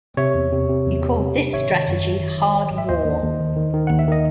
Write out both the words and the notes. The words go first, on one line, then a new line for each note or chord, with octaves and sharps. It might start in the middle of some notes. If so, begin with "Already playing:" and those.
He called this strategy hard war.
C3 C#5 E5
E2
C3
C3
E2
C3
C3
C3
G#1 C#5 E5
D#3
F#2
G#1
D#3
D#3
G#1
G#1
E5
D#2 C5 D#5
D#2
D#2
D#3
D#3
D#3
D#2 F#5
E5
D#3 D#5